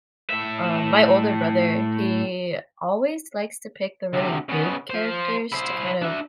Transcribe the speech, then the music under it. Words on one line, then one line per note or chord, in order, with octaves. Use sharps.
um, my older brother, he always likes to pick the really big characters to kind of,
A2 E5
D2 C3
C#3 B3
F4 C5
E4 C5
D4 E5